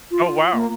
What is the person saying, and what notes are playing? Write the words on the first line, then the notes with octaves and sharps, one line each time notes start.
Oh, wow.
F4
A#3